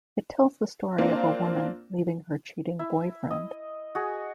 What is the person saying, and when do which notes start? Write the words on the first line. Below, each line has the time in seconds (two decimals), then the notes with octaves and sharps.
It tells the story of a woman leaving her cheating boyfriend.
0.98 A#3 C4 D4 F4
2.79 E4
3.31 D#5
3.95 F#4 G#4